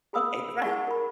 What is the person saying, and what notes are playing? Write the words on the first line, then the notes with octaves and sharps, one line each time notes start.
"Okay, the rat,
G#4 B5 D#6 E6
E4 G#4 F#5 C#6
A#4 B5